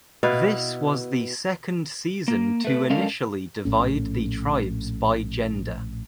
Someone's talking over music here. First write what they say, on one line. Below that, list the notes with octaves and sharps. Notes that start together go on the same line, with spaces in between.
This was the second season to initially divide the tribes by gender.
B2 E4 B4 F5
A#3
A3 B4
G#3 C#4 D4 A4 A#4 F5
A#1 A2 C#4